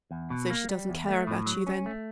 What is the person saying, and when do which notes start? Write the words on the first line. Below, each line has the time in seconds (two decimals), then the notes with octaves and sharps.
"So she doesn't care about you, then?"
0.11 E2
0.30 B2
0.50 A#3
0.69 G3
0.89 E2
1.08 A3
1.27 A2
1.46 F#3
1.67 C#4
1.86 A3